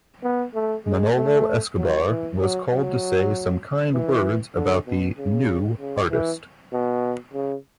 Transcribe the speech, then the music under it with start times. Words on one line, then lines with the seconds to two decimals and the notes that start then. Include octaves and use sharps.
Manolo Escobar was called to say some kind words about the "new" artist.
0.23 B3
0.54 A3
0.85 G#3
1.16 A3
1.77 F#3
2.08 E3
2.39 F#3
2.71 F#3
3.93 E3
4.55 D3
4.86 B2
5.17 C#3
5.79 C#3
6.10 E3
6.72 B2
7.33 C#3